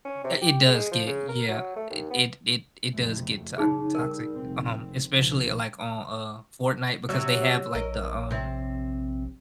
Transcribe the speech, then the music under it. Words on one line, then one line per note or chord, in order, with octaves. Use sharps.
Eh, it does get yeah, eh, it it it does get to toxic, um, especially, like, on, uh, Fortnite because they have, like, the, um
C#4
C3
G4
G#3
F3
C#3
A#4
F#3
A3
D#2
B3
F#1 F2 A3
C#3 F#3 D#4 G#4
G3 A#4
F1 C4
B1 D#3 F3
C3 F#3 F#4 C#5 E6
A#1 A#4 D#5
C3 C4